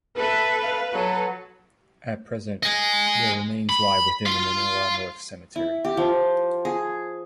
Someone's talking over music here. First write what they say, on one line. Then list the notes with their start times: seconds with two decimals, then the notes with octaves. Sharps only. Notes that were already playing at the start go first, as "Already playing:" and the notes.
At present, their remains lie within the Manila North Cemetery.
0.17 A4 B4 E5
0.63 F5
0.93 F#3 A4
2.63 D#5 G#5
3.69 B5
4.26 F5 C6
5.56 E4
5.85 G4
5.97 F3
6.65 G#4